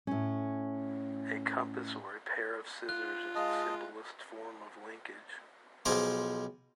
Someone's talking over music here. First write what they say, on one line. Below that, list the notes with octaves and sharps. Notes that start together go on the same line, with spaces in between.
A compass or a pair of scissors is the simplest form of linkage.
A2 C#4
F4 F#6
G#3 D#5 F5 A5
B1 F3 G#4 C5 A#5 D6